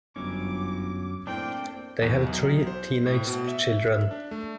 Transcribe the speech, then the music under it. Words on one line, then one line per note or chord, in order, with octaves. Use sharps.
They have three teenage children.
G1 F#2 F#3 C#4 D6
A2 A#3 C4 D4 G5
E2
B1
C5
A2
B2
E5
D4
A3